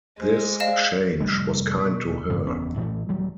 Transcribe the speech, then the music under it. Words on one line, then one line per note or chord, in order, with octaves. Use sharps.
This change was kind to her.
G#3 C5
C5 D5 D#5 F5 E7
F1 G3 A3
B2
G2 C#3
F#1 E2 B3 C#4
A2 E3 A3
D#1 F#3 G3